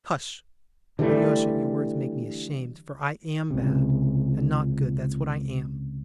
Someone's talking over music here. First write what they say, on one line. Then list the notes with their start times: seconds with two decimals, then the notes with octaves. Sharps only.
Hush, Alyosha, your words make me ashamed, for I am bad and not good--that's what I am.
0.99 D3 E3 G3 A3
3.51 C#2 C3